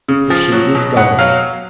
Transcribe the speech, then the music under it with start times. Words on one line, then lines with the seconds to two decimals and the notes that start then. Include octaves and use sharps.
But she was gone.
0.08 C#3
0.30 F3
0.52 F#3
0.75 B2
0.97 B2 F#5
1.19 F#3 F5